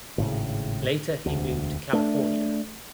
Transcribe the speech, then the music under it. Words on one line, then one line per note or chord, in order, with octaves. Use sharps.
Later he moved to California.
G#1 A2 C#3
E1 D2
A3 D4